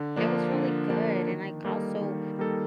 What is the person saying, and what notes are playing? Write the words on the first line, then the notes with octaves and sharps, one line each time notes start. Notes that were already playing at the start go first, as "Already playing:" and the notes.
it was really good and I also,
Already playing: D3
F3 A#3 D4
D3
F3 A#3 D4
D#3
G3 A#3 D#4 A4
D#3
G3 A#3 D#4 A4